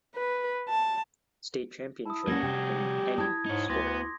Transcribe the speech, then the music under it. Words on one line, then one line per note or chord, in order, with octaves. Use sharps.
State Championship in any sport.
B4
A5
E4 A5 D#6
G3 A#3 C#4 F#4 G#6 A#6
C3 G4
E4 A5 D#6 G#6
G#2 D#4 C#5
D2 B3 C6 D6 A#6